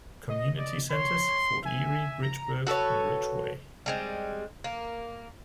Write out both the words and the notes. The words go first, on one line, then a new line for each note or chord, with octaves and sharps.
Community centres: Fort Erie, Bridgeburg and Ridgeway.
D#5
D5
C#5 C6
E5 G#5
A#5
F#4 A4 B4 C#5
G3 G#3 C4
A#3